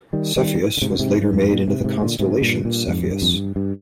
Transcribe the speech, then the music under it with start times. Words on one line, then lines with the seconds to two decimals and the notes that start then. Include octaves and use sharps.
Cepheus was later made into the constellation Cepheus.
0.13 D#3 G3
0.36 D#3 G3
0.77 D3
0.82 G#2 C3
0.91 D3
0.99 G#2 C3
1.16 G2
1.33 F2 G#2
1.51 G2 A#2
1.67 G#2 C3
1.81 A#2
1.84 G#2 C3
2.01 A#2 D3
2.19 G#2 C3
2.41 G2 A#2
2.65 G2 A#2
2.88 F2 G#2
3.03 G#2
3.11 G2
3.22 F2
3.34 G2
3.56 G2